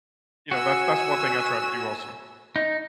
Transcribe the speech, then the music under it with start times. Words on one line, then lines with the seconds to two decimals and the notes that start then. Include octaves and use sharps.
you know, that's that's one thing I try to do also.
0.51 F#4 G#5 E6
2.56 D#4